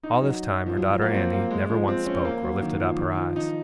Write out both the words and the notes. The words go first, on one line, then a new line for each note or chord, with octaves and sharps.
All this time, her daughter Annie never once spoke, or lifted up her eyes.
D#4
F#3
F3
F#3
F3
A#3
C4
A#3
G#3
F3
C4
C#4
C4
A#3
F#3
D#3
F3
D#3
F3
D#4